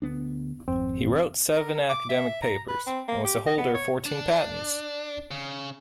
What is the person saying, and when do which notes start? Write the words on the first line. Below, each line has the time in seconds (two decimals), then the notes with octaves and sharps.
He wrote seven academic papers and was the holder of fourteen patents.
0.02 D2 B3 D4
0.68 G#1 F2 C4
1.57 A#4
1.89 D6
2.09 E5
2.42 A#5
2.68 B4
2.86 C4
3.08 A#3
3.25 G4
3.46 D#5
3.58 B3
3.74 C#5
4.06 D4
5.31 C#3